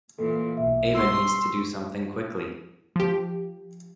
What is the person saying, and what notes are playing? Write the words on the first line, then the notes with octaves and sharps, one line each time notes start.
Ava needs to do something quickly.
A#2 E3 A4
B1 E5
C6 C#6 E6
F3 G4